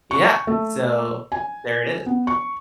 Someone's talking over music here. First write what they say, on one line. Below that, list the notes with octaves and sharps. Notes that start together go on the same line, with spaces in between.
Yeah. So, there it is.
C#6
A3
G#5
B3
C#6